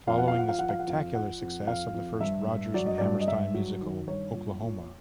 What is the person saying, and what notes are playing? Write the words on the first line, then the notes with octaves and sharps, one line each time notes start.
Following the spectacular success of the first Rodgers and Hammerstein musical, Oklahoma!
F2 F5
F#5
F5
F3 F#5
F5
F3 F#5
F5
F#5
F2 F5
F3 F#5
F2
F2 F5
F2
G2 E5
G2
F#3 D5
D#5
G2 D5
D#5
G2 E5
F#3
D#3
G2 C#5
A#2
A#2